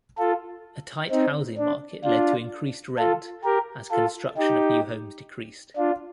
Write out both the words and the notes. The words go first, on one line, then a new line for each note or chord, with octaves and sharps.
A tight housing market led to increased rent as construction of new homes decreased.
F4 A4
C4 D#4
D4
D4 F4
F4 A4
G4 A#4
F4 A4
D#4 G4
D4 F4